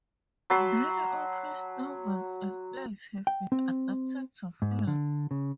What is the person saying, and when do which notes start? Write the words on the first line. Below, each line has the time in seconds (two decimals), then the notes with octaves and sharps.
Many of his novels and plays have been adapted to film.
0.50 F#3 A5 B5 C6
3.27 G5
3.52 C4
4.62 G#2
4.87 D3
5.31 C#3